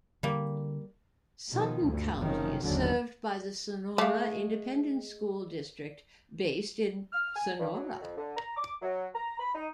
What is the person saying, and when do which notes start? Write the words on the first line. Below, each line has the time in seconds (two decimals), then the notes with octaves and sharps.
Sutton County is served by the Sonora Independent School District based in Sonora.
0.23 D3 G3 A#3
1.51 B2 D#3 F3
1.84 D2 G2
2.20 F#1 C3 D#3 F3 C#4
2.62 F#1 D#2 D3 F#3 C#4
3.98 G#3 A3 F5 D6
7.12 F6
7.36 G#5
7.60 G2
7.73 F#3
8.02 F2
8.17 D3
8.37 A#5
8.57 D6
8.82 F#3
9.15 A#5
9.40 B5
9.55 D#4